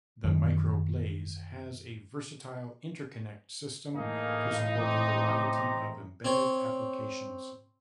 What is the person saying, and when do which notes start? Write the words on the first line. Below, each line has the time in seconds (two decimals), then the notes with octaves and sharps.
The MicroBlaze has a versatile interconnect system to support a variety of embedded applications.
0.24 F#2 D#3 E3
3.95 A2 E3 A#3 D#4 G#4 F5
4.79 C4 A#5 D6
6.25 C4 C#5